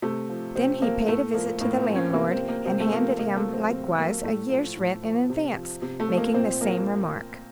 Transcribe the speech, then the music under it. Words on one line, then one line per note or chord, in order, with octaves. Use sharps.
Then he paid a visit to the landlord, and handed him, likewise a year's rent in advance, making the same remark.
C3 A3
F3
C3 C4
F3 A#3
A2 A3
F3 A#3
A2 A#3
C4
F3
C#4
C3 A#3
C4
F3
A#3
C3 C4
A3
F3 A#3
C3 A#3
A3
F#3
C4
C3 C4
F#3 A#3
A2 A3
F3
A2
F3
C3
F3
C3
A3
F3
A#3
A#2 C4
F3 A#3